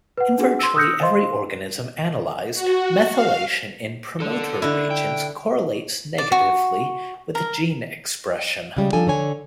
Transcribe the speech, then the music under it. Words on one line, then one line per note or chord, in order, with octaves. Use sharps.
In virtually every organism analyzed, methylation in promoter regions correlates negatively with gene expression.
B4 F#5
D4 F#4 G#4 F#5
C6 E6
D#6 E6 F#6 G6 A#6 C#7
C5 D#5 F5 C6
F#4
F5
D4 A4
D3 E4
G5
D5
F#4
A#4
C#3 G3 G#3
F3 D4 A4 G#5
D3 C#5 G#5